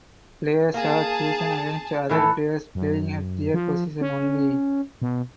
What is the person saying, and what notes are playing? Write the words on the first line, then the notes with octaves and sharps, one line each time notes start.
Players are chosen against other players playing at their position only.
A#3 G#4 A5
A2 E3 A4
F#2
F3
C#4
B2